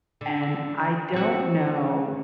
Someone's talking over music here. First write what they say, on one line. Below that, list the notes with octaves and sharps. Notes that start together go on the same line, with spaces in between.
and I don't know
D3
C4 F#4